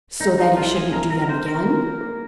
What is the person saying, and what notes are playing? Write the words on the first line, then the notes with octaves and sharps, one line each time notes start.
"So that he shouldn't do them again?"
C2 D#4
D#4
C2 F4
G#4
C2 A#4
A#4
A#4
C3 C5
A#4
A#3
A#3